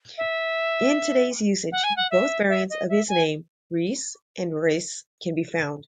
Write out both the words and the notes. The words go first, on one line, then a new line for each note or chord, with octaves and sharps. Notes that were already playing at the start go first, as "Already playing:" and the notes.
In today's usage, both variants of his name, "Ries" and "Riese" can be found.
E5
F#5
G#5
F#5
E5
E5
D#5
E5
G#5